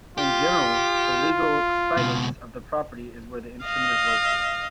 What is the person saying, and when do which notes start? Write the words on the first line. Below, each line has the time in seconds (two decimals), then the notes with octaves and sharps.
In general, the legal "situs" of the property is where the instrument is located.
0.18 F4 G4
1.97 C#2 B2
3.64 D#5 F5